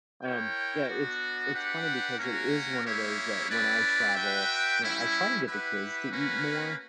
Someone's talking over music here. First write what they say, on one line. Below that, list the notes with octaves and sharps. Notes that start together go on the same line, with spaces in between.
um, yeah. It's it's funny because it is one of those that, when I travel, you know, I try to get the kids to eat more,
E4 A#4 C#5 G5
B3 D4 F#4
D4 G4 B4 F#5
A#3 C#4 F#4 A#4
A#3 E4 G4 C#5 E5
C#4 E4 B4 D5
F#4 B4 E5 G5
G3 C#4 E4
E4 G4 B4 F#5
A#3 C#4 F#4 B4